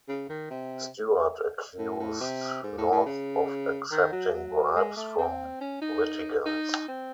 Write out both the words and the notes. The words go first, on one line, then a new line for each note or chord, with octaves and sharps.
Stewart accused North of accepting bribes from litigants.
C#3
D#3
C3
A2
A2
C3
G#2
A2
A2
C#3
D#3
F#3
F#3
G#3
A3
C4
C#4
D#4
D#4
C4